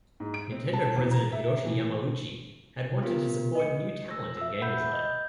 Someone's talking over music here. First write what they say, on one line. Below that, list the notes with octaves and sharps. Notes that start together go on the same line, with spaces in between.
Nintendo president Hiroshi Yamauchi had wanted to support new talent in game design.
G#2
D7
C4
A5
E2
A#5
E5
E3
B3 F4 G4 A#4
D#5 C#7
E6 A#6
E5 E6
F#5 B5 G6
D#5 G6